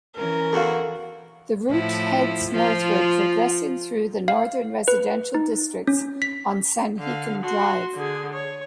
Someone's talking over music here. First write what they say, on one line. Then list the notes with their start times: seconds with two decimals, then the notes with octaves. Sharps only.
The route heads northward, progressing through the northern residential districts on Sanhican Drive.
0.16 E3 C#4 A#4
0.53 E2 F#4 A4 F5
1.70 A2 F3 E4
2.51 F3 F4
4.28 F5
4.88 B4
5.35 D#4
5.87 C#4
6.22 B6
6.99 D3 F5
7.41 F#4 C6
7.94 D3 G#4
8.33 C#5